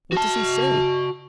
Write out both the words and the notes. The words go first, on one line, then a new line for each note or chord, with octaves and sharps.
What does he say?
F#4 A5